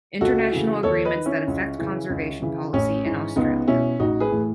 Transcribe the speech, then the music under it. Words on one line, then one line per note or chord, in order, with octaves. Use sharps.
International agreements that affect conservation policy in Australia.
C#2 F#4 A4
C#3 E3
D#2 A4 C#5
B4 D#5
D#3
C#4 E4
C#2
C#3 E3
C#2
C#3 E3
A1 C#4
G#2 E3
C#2 B3 D#4
B2 C#4 E4
A1 D#4 F#4
G#4 B4
A2 E3